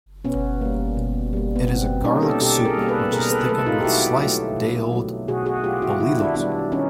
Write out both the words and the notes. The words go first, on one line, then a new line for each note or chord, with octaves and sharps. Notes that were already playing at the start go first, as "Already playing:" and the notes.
It is a garlic soup which is thickened with sliced day-old bolillos.
B2 B3 C#4
G3 A#3
B2
G3 A#3
B3
B2 C4
G3 A#3 C#4 D#4
G4 A4
B2 G4 A4
G#4 A#4
G3 A#3
A4 B4
B2 G#4 A#4
A4 B4
F#3 A3 A4 B4
D#4 F4
G4
B2 E4 F#4
F#3 A3
B2
F#3 A3
B2 F#4 G#4
F#4 G#4
F#3 A3 F4 G4
E4 F#4
D#3 E4 F#4
D4 E4
G3 B3 D4 E4
D#3 C#4 D#4